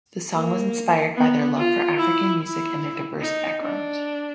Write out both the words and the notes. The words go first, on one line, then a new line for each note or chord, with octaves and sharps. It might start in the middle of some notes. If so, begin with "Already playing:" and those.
The song was inspired by their love for African music and their diverse backgrounds.
A#3
B3
F4
E4
E4
D#4
D4